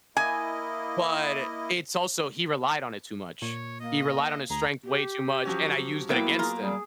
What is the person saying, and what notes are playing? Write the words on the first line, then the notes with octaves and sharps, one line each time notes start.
But it's also he relied on it too much. He relied on his strength way too much, and I used that against him.
A#3 E4 D#5 G#5
A#2 C#5
A#3 D#5
D2 G#4 A#5
G4
F3 F#3 C#4
C3 F#3 A#3 B3 E4 E5 G5
G#3 F4 G#4 A#4
G3 G#4